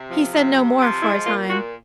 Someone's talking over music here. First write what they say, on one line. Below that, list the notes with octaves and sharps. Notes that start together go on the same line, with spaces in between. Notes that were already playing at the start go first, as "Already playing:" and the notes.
He said no more for a time.
Already playing: C3
F3
C3
C3
F3
G#3 E4
A#2 F4
A#2 F#4